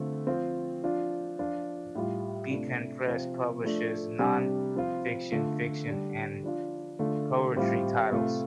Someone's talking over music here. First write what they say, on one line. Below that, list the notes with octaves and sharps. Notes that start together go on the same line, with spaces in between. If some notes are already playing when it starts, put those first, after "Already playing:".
Beacon Press publishes non-fiction, fiction, and poetry titles.
Already playing: D3 A3 C4 F4
F3 C4 F4
F3 D4 F4
F3 D4 F4
A2 G3 F4
C3 A3 D4 F4
C3 F3 C4 F4
F3 A3 D4
C3 G3 D4
F3 C4 F4
D3 A3 F4
D3 G3 D4
F3 D4 F4
D3 A3 D4 F4
A2 G3 C4 F4
C3 A3 F4